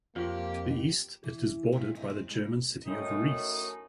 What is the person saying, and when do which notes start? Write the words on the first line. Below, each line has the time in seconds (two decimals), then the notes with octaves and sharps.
To the east, it is bordered by the German city of Rees.
0.16 F2 A#3 F4 G4
1.24 E3
1.72 A#2 C4 A#4 E5 F#5
1.95 E2 G2 C4 E4 D#5
2.10 C4
2.30 C#3 G#3
2.86 F#2 A2 C#4 D#4